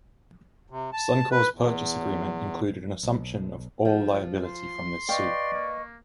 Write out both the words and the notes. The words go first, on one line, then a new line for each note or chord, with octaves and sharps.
Suncor's purchase agreement included an assumption of all liability from this suit.
C3
A5
B4
E2
B1
F3 G5
C6
B4 D5 D#5 F5 G5 C#6
A#3